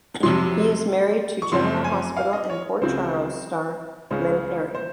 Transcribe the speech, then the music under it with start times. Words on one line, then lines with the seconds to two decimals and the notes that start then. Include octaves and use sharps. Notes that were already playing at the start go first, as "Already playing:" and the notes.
He is married to "General Hospital" and "Port Charles" star Lynn Herring.
0.23 F2 C3 F#3 C6
1.42 C#6
1.52 F#1 F#2 F3 C4 C6
1.84 G#5
2.17 F5
2.33 D#5
2.50 C#5
2.81 C#2 C#3 F#3 C4 C5
4.11 C#2 C#3 G#3 C#4 C5
4.75 C5